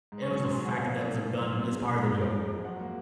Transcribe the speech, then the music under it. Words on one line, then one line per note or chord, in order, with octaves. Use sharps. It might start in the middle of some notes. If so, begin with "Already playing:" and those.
It was the fact that there was a gun as part of the joke,
G#2
C#6
F#3
C#6
G#2 C6
G#5
F#3
F#5
C3 F5
F3
C3
A#3
F#2 C6
F#3
C#3
C#3
C6
G#2 A#5
F3
G#3
F3
F#3 F#5
A#3